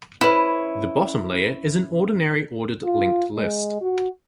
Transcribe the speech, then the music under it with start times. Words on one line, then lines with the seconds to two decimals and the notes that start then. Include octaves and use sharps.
The bottom layer is an ordinary ordered linked list.
0.21 C#4 E4 B4
2.84 F4
3.35 G#3
3.81 F#4